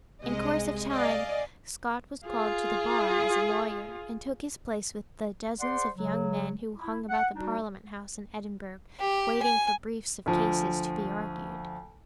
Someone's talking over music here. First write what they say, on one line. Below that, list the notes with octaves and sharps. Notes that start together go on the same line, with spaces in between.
In course of time Scott was called to the bar as a lawyer, and took his place with the dozens of young men who hung about the Parliament House in Edinburgh waiting for briefs of cases to be argued.
C2 C3 G#3 D#5
D5 D#5 F5 G#5
F4 G#4
G#4 C5 D5 F#5 C6
C#3 F#3
E4
F#5
G3 D4 D#4 F#4
G4
G#5
D2 F3